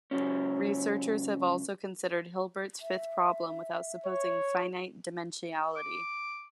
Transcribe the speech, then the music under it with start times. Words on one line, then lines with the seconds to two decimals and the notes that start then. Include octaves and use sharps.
Researchers have also considered Hilbert's fifth problem without supposing finite dimensionality.
0.11 C#2 G2 F#3 C#4
2.82 E5
4.05 C#5
5.76 D6